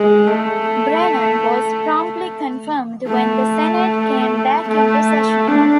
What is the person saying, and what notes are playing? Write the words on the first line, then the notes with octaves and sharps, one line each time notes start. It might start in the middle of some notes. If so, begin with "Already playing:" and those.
Brennan was promptly confirmed when the Senate came back into session.
Already playing: G#3
A3
A3
A3
D4